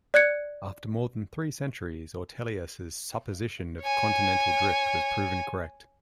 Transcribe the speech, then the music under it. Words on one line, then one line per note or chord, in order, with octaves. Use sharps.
After more than three centuries, Ortelius's supposition of continental drift was proven correct.
D5 F#6 G#6 C#7
C#5 G#5